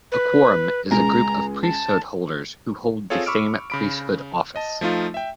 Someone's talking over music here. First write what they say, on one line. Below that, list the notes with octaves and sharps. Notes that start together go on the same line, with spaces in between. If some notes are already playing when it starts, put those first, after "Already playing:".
A quorum is a group of priesthood holders who hold the same priesthood office.
B4
C#2 G#3 G#5 A#5
A5
C4 F4 G#4 A4 C#5
B5 C#6 D6 E6 F6 D7
C#3 B5 D7
D#5 A5
F3 A3 D#4 F4
E5 G5